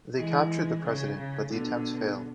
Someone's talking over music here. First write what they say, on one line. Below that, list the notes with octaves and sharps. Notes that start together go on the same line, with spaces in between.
They captured the president but the attempt failed.
E3 G#3
C#3
C#3
B2 D3